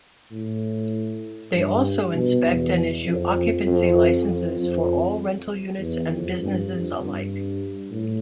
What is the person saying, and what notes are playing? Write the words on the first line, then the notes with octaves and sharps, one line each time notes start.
They also inspect and issue occupancy licenses for all rental units and businesses alike.
A2
G2
B2
E2
F2
F2
F2
F2
E2
F2
G2
F2
G2
A2